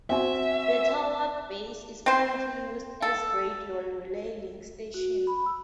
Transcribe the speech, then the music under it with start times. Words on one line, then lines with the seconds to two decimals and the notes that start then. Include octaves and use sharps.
The tower base is currently used as radio relay link station.
0.10 C4 F#4 E5 G#5
2.06 C4 C5
3.02 A4
4.94 F#4
5.27 B5
5.46 E6